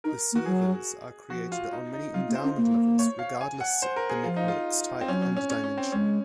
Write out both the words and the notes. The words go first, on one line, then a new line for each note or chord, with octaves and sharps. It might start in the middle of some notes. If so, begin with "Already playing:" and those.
The servers are created on many endowment levels regardless the networks type and dimension.
D#4 A#4
A#3
F#4
F#3 G#4
F3 F#4
F4
D#4
D#4
F#3 F4
A#3
C5
C#4
A#3
C#5
F5
G#5
F#5
C5
A#4
G#4
F3 F4
D#4
F4
C4
F#3 C#4
C#4
C#4
C#4
C#4
C4
G#3 C#4